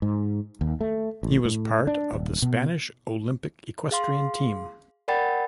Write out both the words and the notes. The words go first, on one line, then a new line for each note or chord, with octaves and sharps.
He was part of the Spanish Olympic equestrian team.
G#2
D#2
A3
A1
A2
D4
D#1
B2
G#4 F5 C6
A#4 D5 F#5 G5 B5 A6